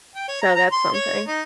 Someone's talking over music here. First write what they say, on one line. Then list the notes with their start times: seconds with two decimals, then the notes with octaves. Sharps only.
So, that's something.
0.15 G5
0.28 C#5
0.42 A#5
0.55 A#5
0.72 C6
0.94 C#5
1.27 D#4